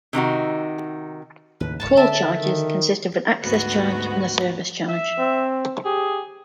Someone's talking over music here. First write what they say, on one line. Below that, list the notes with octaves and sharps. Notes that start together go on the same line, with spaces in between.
Call charges consist of an Access Charge and a Service Charge.
C3 D#3 D#4 F#4
D#2 A2 C#3 B4
D1 G#2 C#5 A5
D3 D5 E5 A5
D#3
D2 G#2 B3 F#4
E5
C4
G4 G#4